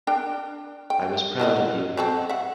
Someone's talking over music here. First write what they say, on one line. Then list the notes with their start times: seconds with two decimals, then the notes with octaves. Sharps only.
I was proud of you.
0.07 D4 A#4 G5
0.90 G5
1.39 E4 F#4 D#5
1.97 F#3 C4 A4
2.29 E5 F#5